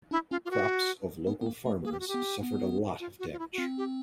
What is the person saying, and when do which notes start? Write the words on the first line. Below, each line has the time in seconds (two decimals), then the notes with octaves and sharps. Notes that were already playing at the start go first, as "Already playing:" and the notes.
Crops of local farmers suffered a lot of damage.
0.11 D4 E4
0.31 C#4 F4
0.45 F4
0.51 F#4
1.27 B3
1.41 B3
1.46 A#3
1.66 A3
1.85 A#3 G#4
1.92 G4
2.00 F#4
2.08 G4
2.14 B3
2.43 B3
3.00 F4
3.19 F#4
3.33 F4
3.39 E4
3.52 F#4
3.58 C4 F4
3.78 G4